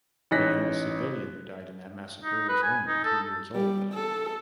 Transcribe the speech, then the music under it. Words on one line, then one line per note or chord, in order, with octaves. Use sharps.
The youngest civilian who died in that massacre was only two years old.
A1 D#4 F#6 A#6 B6
D#4
B4
G#5
D#4
A4
G3
A4